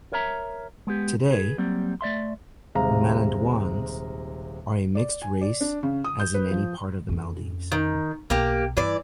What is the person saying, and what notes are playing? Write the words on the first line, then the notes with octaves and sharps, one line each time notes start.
Today, the Manaduans are a mixed race as in any part of the Maldives.
A#4 C#5 E5 A#5
G#3 B3 G4
G#4 B4
F#3 G3 A#3 C4
A3 D5 E5 C6
D#1 C3 G#3 F5 A#5
D5
G#5
D5
D4
C#3
D#6
G6
B4
F3
F2 C#4
D#3
B1 A#3 G4
G2 E3 D5